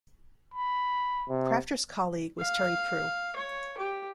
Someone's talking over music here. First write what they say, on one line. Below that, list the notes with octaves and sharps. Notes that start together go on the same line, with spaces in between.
Crafter's colleague was Terry Prue.
B5
C3
F5
C#5
G4